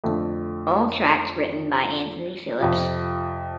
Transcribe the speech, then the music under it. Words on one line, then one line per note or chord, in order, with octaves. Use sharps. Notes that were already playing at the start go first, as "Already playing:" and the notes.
All tracks written by Anthony Phillips.
F2 D3 A3
F2 C3 F3